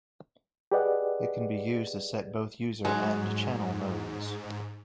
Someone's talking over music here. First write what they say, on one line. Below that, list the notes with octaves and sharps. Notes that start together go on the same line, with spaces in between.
It can be used to set both user and channel modes.
G4 G#4 B4 D5 D#5 F#5
G#2 F#3 G#3